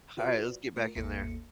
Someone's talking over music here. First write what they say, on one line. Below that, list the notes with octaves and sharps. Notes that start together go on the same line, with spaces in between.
Alright, let's get back in there.
F4 F#4 B4 C5 D5 F#5
A3 F4 A#4
A1 E2 A#3 A4 E5 C#7